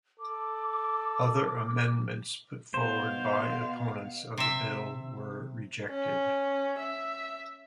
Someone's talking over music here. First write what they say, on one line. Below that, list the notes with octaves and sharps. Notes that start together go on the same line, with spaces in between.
Other amendments put forward by opponents of the bill were rejected.
A4 D6
B2 C5 F5
C3 E5
C#4
E5